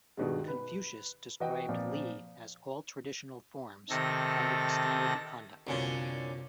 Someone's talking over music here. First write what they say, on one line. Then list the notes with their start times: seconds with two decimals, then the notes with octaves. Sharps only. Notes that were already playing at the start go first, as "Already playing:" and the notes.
Confucius described "Li" as all traditional forms that provided a standard of conduct.
0.17 G2 B2 D#3 G#3
0.48 B4
1.40 E3 F#4 D#5 G5
1.69 A#2 F3 C4
3.90 C3 D#3 A4 A#6
5.67 C2 F#2 A#2 D3 C#4